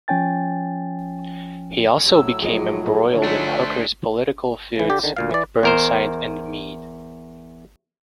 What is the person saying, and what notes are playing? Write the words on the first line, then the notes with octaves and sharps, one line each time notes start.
He also became embroiled in Hooker's political feuds with Burnside and Meade.
F3 C#4 C#5 G5 G#5 A6
A2 F#3 E6
F#1 F3 G#4 D#5
G2 D3 F3 C#5
F#3 G#3 A3 D4
C5 A5
C#3 E3
D3 G4
D3 D#3
D2 A#2 F5
E3 D5
E2 A#4 C5